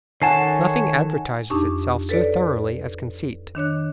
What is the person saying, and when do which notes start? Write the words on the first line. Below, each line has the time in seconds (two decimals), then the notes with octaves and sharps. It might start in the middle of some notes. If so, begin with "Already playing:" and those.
Nothing advertises itself so thoroughly as conceit.
0.22 D#3 A4 C#5 F#5 G#5 A5 C7
1.50 F2 D4 D#4 G4 C#6
2.09 A4 B4 C#5 D5
3.55 D#3 D4 C#5 F#6